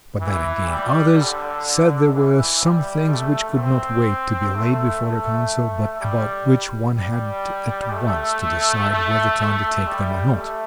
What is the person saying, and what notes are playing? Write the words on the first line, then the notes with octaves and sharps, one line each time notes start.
But then again others said there were some things which could not wait to be laid before a Council, but about which one had at once to decide whether to undertake them or not.
E3
G3
D3
E3
G3
A3
C4
A3
A3
G3
G3
A3
A3
A3
G3
A3